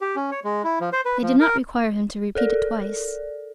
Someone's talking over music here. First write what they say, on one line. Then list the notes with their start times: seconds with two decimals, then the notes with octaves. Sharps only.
They did not require him to repeat it twice.
0.01 G4
0.16 C#4
0.31 C#5
0.44 G#3
0.64 E4
0.81 F3
0.93 C5
1.05 B4
1.22 F3
1.40 A#4
2.35 A4 A#4 D5